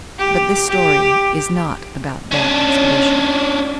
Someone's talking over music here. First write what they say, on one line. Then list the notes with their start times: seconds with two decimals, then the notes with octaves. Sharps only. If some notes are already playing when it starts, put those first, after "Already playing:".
But this story is not about that expedition.
0.18 G4
0.68 G4
2.31 C#4 D4